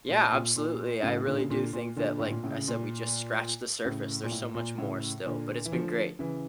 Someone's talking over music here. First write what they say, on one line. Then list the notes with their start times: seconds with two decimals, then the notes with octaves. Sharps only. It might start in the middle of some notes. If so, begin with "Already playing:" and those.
yeah, absolutely. I really do think that, like I said, we just scratched the surface, there's so much more still; but it's been great.
0.09 A#2
0.32 A#2
0.56 A#2
1.02 A2 C#3
1.26 A#2 D3
1.38 C#3
1.50 A#2 D3
1.73 A#2
1.96 A#2 D3
2.20 A2
2.32 A#2
2.44 A2 C#3
2.57 C#3
2.68 A#2
3.85 A2 C#3
4.24 A#2
4.31 A2
4.55 A#2
4.78 A2 C#3
5.25 A#2 D3
5.65 E3
5.72 D3 F3
6.19 C#3 E3